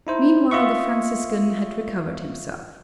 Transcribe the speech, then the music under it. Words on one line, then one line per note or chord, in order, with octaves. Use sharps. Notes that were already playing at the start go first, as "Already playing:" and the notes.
Meanwhile the Franciscan had recovered himself.
D#4 E4 C5
F4 D#5 E5 C#6